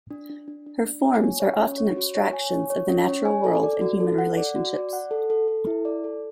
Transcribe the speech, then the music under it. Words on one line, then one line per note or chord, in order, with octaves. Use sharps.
Her forms are often abstractions of the natural world and human relationships.
D4
D4
D4
D4
D4
C#5
G#5
C#5
C#4
C#5
F#4
C#5
G#5
C#5
C#5
C#4
C#5
G#5
A4
D5
F#4
A4
F#5
D5
F#4
D5
F#5
A4
A4
A4
E4
D5
A4